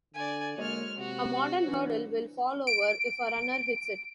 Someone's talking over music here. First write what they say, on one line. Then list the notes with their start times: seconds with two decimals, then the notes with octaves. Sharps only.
A modern hurdle will fall over if a runner hits it.
0.14 D3 D5 G#5
0.57 F#3 G#3 A#3 C#5 D#5 F6
0.98 C3 F#4
1.64 E3 F#3 C4 D4
2.67 D7